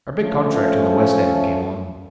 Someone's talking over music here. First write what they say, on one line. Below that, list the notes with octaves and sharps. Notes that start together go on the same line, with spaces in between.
Our big contract in the West End came on.
F3 A3 C#4